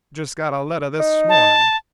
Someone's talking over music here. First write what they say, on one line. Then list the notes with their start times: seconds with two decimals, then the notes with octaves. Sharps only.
'Just got a letter this morning.'
1.00 D#4
1.29 A5